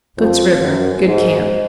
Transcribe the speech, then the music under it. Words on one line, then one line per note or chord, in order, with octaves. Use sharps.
Soot's River.--Good camp.
F2
F#2
G#2